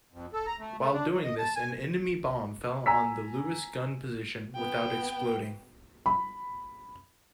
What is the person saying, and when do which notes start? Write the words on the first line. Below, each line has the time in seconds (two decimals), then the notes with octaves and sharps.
While doing this an enemy bomb fell on the Lewis gun position without exploding.
0.13 F2
0.33 A4
0.47 A#5
0.60 A3
0.80 A3
0.94 D4
1.10 F#3
1.24 D#5
1.38 A5
1.56 G#5
2.86 G#5 A#5 E6 B6
4.56 B3 G5
6.06 B5